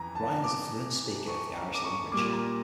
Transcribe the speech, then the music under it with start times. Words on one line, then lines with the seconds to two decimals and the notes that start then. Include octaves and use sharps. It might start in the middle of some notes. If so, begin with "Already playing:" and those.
Ryan is a fluent speaker of the Irish language.
Already playing: F2 E3 A#5
0.15 A5
0.44 D6
1.28 C#6
1.56 A#5
1.74 D6
1.84 C#6
2.12 A#2 G3 A#3 D6
2.33 A#5